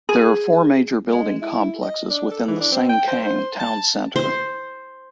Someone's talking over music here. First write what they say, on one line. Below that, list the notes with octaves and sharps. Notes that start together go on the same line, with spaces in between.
There are four major building complexes within the Sengkang Town Centre.
G#4
G#3
E4
D#5
D4
A4
E3
D4
C4
G5
C5
C5
A5
C5